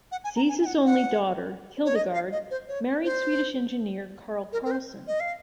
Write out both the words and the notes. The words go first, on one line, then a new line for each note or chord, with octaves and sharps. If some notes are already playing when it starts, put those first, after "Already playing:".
Ziese's only daughter, Hildegard, married Swedish Engineer Carl Carlson.
F#5
G#5
A#5
G#5
G#5
F#5
F#5
C#5
D#5
F5
D#5
C5
C#5
C5
A#4
A#4
C5
D#5
F5